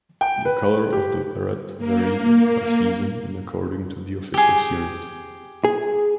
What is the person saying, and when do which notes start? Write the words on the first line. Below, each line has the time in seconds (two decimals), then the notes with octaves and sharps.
The color of the beret varied by season and according to the officer's unit.
0.21 G5
0.45 B4
0.93 G4
1.78 A#3
4.34 G4 G#4
5.65 G#4